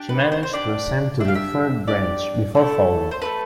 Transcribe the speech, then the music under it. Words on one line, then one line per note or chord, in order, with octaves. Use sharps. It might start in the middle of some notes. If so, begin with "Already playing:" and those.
She managed to ascend to the third branch, before falling.
Already playing: D4 G4
B4
C5
C5
D4 G4 D5
D4 G4 E5 F5
E5
D4 G4 D5
A3 E4 A4
C5
A3 E4 A4 B4